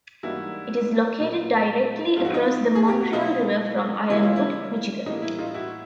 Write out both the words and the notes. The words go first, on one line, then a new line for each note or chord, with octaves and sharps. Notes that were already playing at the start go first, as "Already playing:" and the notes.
It is located directly across the Montreal River from Ironwood, Michigan.
G#2 E3 G3 A#3 D4 E4 F#4
A#2 F#3 A#3
G#2 F3 A3 C4 F4
F#4
D#4 F4
G#4
G4
F#4
B2 F#3 B3 D#4 F4
C#3 E3 G3 A#3 C#4 E4
F4
E4
A2 E3 G3 A#3 D#4
E4
D#4 F4
E4 F#4